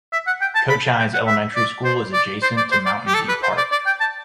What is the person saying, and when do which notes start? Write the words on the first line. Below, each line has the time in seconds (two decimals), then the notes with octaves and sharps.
Cochise Elementary School is adjacent to Mountain View Park.
0.13 E5
0.27 F#5
0.41 G5
0.55 A5
0.69 B5
0.99 G5
1.14 F#5
1.27 E5
1.56 D5
1.84 C5
2.13 D5
2.42 C5
2.57 D5
2.72 C5
2.86 D5
3.07 G4
3.14 A4
3.28 B4
3.43 C5
3.57 D5
3.72 D5
3.86 G5
4.00 A5